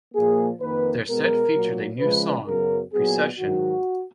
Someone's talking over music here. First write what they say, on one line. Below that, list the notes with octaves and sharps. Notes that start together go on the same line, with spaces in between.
Their set featured a new song, "Precession".
A#2 F3 A#3 G#4
F2 D#3 A#3 B4
B2 G#3 B3 A#4
A#2 F#3 A#3
C#3 F3 G#3 B4
F#2 C#3 F#3 B3 A#4
A#2 F#3 B3 G#4
G#2 D#3 F#3 F#4